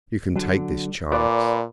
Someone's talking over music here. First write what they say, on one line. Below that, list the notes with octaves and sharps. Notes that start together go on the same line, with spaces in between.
You can take this chance.
D3 F#3
A#2 B4 D5